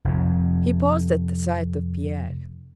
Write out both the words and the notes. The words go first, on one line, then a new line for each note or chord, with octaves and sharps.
He paused at the sight of Pierre.
F1 F2